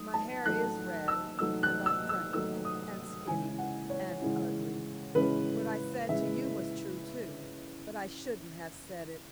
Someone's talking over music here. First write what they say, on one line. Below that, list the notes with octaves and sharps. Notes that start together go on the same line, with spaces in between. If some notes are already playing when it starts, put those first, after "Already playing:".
My hair is red and I'm freckled and skinny and ugly. What I said to you was true, too, but I shouldn't have said it.
Already playing: F#3 A3 D#4 D#6
A5
F#3 A3 D#4 F#6
E6
F#3 A3 D#4 E6
F#6
E6
E6
F#3 A3 D#4 E6
D#6
C#3 E3 G#3 C#4 E4 G#5
F#5
C#5
C#3 E3 G#3 C#4 E4
C#3 E3 G#3 C#4 E4 B4
C#3 E3 G#3 C#4 E4 E5